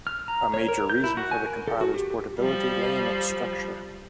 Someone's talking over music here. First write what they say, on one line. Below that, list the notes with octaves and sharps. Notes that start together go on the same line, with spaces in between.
A major reason for the compiler's portability lay in its structure.
F6
A#5
C#5
A#4
G6
E4
F#4
G#5
A#4
A4
F#4
G4
F3 G3